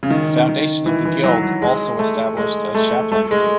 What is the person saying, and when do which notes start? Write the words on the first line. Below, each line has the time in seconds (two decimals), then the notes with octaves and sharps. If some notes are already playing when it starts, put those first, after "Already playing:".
The foundation of the guild also established a chaplaincy.
0.03 C#3
0.10 D#3
0.49 D#3
0.86 E3
1.05 E3
1.23 F#3
1.43 F#3
1.62 G#3
1.99 A3
2.37 G#3
2.75 A3
3.12 A3
3.31 G#3